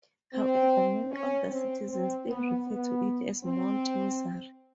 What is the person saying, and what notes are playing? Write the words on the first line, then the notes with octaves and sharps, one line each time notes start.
However, many older citizens still refer to it as Mount Misery.
C4
C#4
C4
C4
B3
B3
C4